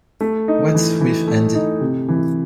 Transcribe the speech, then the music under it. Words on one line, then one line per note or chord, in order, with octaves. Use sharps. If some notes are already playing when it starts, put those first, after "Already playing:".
What's with Andy?
A3
D#4
E3
E3
A3
D#4
C3
E3